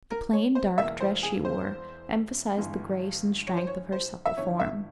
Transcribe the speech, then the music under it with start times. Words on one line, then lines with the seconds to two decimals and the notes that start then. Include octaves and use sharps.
The plain dark dress she wore emphasized the grace and strength of her supple form.
0.11 A#4
0.33 C#5
0.55 C5
0.78 E1 E2 E3 A#3 E5
1.00 C5
1.23 G#4
1.45 C5
2.57 G1 G2 E3 G#3
3.47 C#5
3.57 C5
3.67 C#5
3.92 C5
4.26 E5
4.37 G1 G2 E3 C#5
4.60 E5